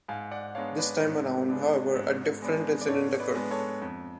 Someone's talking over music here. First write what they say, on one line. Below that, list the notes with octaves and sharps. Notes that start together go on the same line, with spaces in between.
This time around, however, a different incident occurred.
G#2 F5 G#5
D5 F#5
G#3 B3 D4 C#5 F5
B4 D5
G#2
G#3 B3 D4
G#2
G#3 B3 D4
D5
G#2 A4 C#5
B4 D5
G#3 B3 D4
A4 C#5
F2